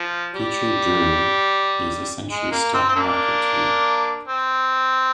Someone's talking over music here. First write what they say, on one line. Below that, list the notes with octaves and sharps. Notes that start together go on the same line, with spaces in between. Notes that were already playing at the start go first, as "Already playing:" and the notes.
Pietre dure is essentially stone marquetry.
Already playing: F3
G3
G#3
A#3
C4
C4
A#3 D4
C4